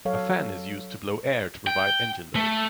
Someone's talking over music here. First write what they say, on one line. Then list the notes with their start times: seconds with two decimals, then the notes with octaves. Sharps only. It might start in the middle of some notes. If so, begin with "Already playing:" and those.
A fan is used to blow air to provide engine load.
0.05 F#3 A4 C#5 F5
1.67 G5
2.35 A3